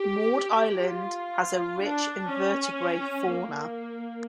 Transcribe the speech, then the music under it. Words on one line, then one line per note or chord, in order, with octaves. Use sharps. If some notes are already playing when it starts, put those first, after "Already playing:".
Maud Island has a rich invertebrate fauna.
Already playing: G4
F4
D4
C#4
A#3